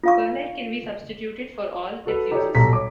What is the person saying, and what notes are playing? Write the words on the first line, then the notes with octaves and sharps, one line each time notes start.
Perlite can be substituted for all of its uses.
F4 F5 C#6
F#4 A4 B4
D#4 G4 A4 C#5 D5
B1 G3 A4 A#5 B6
C#5 D6